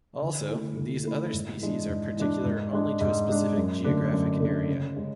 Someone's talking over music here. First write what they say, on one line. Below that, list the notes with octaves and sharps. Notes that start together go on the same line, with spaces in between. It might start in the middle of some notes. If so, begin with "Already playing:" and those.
Also, these other species are particular only to a specific geographic area.
D3
A3 E4
D3
A3 E4
G#2
E3 G#3 D4
G#2
E3 G#3 D4
G#2
G#3 D4
G#2
G#3 D4
F#2
D3 A3 D4
F#2
D3 A3 D4
C#3
G#3 C#4